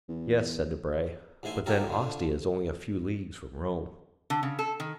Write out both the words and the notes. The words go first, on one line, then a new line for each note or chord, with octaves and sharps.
"Yes," said Debray, "but then Ostia is only a few leagues from Rome."
E2
A1 G#2 E4 C5 G#5
F#3 A#3 E4 G4 A4 A#4
D3 F3
D3
C#3
A4
D#3